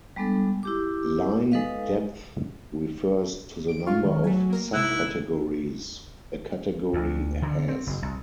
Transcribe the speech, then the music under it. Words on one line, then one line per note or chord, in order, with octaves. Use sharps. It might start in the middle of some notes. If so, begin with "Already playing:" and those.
"Line depth" refers to the number of subcategories a category has.
G3 G#3 B3 D4 A4
E4 G4 D6
G#3 D#4 A4 B4 D#5 F5
D7
F4 C#6 F6
D#3
F#3 A3 G#5
A#3 A#4
C3 G#3 D#4 E4 F#6
D2
D3
C4
F#1
C2